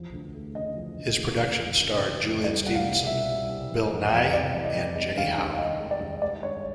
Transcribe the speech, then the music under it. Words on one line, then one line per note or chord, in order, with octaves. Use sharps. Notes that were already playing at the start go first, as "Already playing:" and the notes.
His production starred Juliet Stevenson, Bill Nighy and Jenny Howe.
Already playing: E2 F3
D2
A3
C#3 D#5
F3
D2
E3
F2
F2
C#3
E3
F2
G3 D5
C2 F#5
F5
C2
B2 E5
G3
C2
E3
F2
F2
C3 D5
E3
D#5
F2
G#3 D#5
D#2 F5
D#2 F5
D#3 D#5
G#3
D5
D#2
G#3 D5
G2 C#5